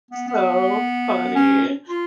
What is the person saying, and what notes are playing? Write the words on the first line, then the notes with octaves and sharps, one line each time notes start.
so funny.
B3
B3
C#4
F4